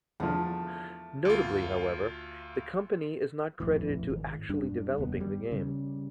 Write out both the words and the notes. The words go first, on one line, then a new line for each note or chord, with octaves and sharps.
Notably however, the company is not credited to actually developing the game.
E2 D3 F3 A3
D2 F4
D#1 A1 F2 E3
G#1
F#2 G3 D4
F1 D#2 A#2 B3
G3
C#3 G3